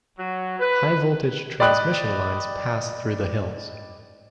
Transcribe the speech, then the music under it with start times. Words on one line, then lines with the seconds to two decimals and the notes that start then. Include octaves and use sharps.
High-voltage transmission lines pass through the hills.
0.19 F#3
0.59 B4
1.60 D5 D#5 G5 B5 D#6 F#6